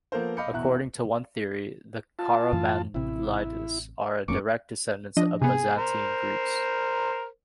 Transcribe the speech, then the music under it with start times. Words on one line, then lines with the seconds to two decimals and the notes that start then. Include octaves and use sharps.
According to one theory the Karamanlides are the direct descendants of Byzantine Greeks.
0.12 F3 A#3 B3 A4 A#4 C5
0.37 D#5 F5 B5 D6 G6 C#7
0.53 B2 E3 E5 A#5 F#6
2.19 F4 A5
2.53 F#2 E3
2.94 A1 C3 E4
4.28 F1 F#2 A#3 C#4 C#6 D6
5.17 F3 D4 D#5
5.42 C3 B3 G#4
5.77 A#4 C5